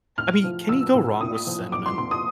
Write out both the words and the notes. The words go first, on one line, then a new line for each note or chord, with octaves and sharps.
I mean, can you go wrong with cinnamon?
A2 F6
F3
F3 E6
A2
A#2 D#6
F3
F3 D6
C6
A#2 C6
D#6